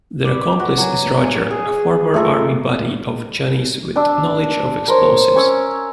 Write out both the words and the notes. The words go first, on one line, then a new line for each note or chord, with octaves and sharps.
Their accomplice is Roger, a former Army buddy of Johnny's with knowledge of explosives.
B4 D5
F#4
F#3 G#5
G#5
G#4
A3 F4 A4 A#5
D4 E6
A#4 C5 C#5
C#4 C#5 E6